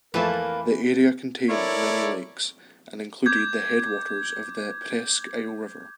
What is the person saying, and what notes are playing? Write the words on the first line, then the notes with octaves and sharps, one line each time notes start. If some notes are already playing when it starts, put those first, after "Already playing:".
The area contains many lakes, and included the headwaters of the Presque Isle River.
F2 E3 A3 A#3 A#4 B4 A5
E4 A4 A#4 C#5 D5
D6 G6 G#6